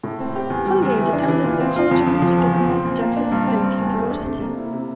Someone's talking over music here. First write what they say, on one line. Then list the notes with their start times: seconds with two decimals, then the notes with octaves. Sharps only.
Hungate attended the College of Music at North Texas State University.
0.04 A2
0.20 C4
0.35 G4
0.50 E2
0.66 G3
0.82 E2
0.98 E3
1.13 D4
1.28 E3
1.44 A#2
1.60 C4
1.76 F4
1.91 F2
2.07 F3
2.22 F2
2.38 E2
2.53 F3
2.70 C4
2.85 A#2
3.01 A#3
3.17 D4
3.32 G2
3.47 C4
3.63 G2
3.79 E2
3.93 A3
4.10 D4
4.25 C3
4.41 A#3
4.57 E4
4.73 C3